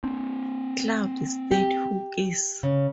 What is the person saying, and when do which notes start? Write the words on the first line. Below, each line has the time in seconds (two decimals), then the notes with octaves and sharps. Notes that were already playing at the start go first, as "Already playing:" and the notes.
Cloud State Huskies.
0.04 C4 D4
1.51 G4
2.63 C#3